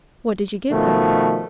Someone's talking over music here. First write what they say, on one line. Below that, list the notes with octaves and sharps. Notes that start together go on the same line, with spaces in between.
'What did you give her?'
B2 D#3 F3 A3